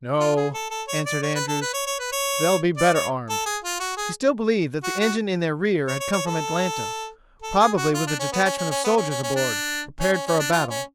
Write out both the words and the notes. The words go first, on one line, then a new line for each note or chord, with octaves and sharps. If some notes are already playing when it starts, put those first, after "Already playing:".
"No," answered Andrews; "they'll be better armed." He still believed that the engine in their rear had come from Atlanta--probably with a detachment of soldiers aboard, prepared for a battle.
F4
G#4
A4
A4
C#5
D5
C#5
B4
A4
B4
C#5
C#5
B4
C#5
D5
C#5
A4
G#4
F4
F#4
G#4
F#4
F#4
C#5
C#5
C#5
A4
A4
G#4
F#4
F4
D4
C#4
B3
C#4
C#4
C#4
B3
C#4
C#4
C#4
D4
C#4
C#4
C#4
D4
F4
C#4